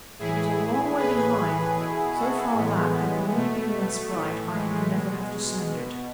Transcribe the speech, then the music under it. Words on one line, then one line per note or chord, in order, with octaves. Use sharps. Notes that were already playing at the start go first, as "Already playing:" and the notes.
It was a long way behind--so far that, had the moon been less bright, I could never have discerned it.
A2 E3 E4 G#4
A2 E3 G#4 B4
B2 E4 G#4
F#4 A4
A2 E3 G#3 B3
B2 A3
A2 E3 A3
G#3
B2
B2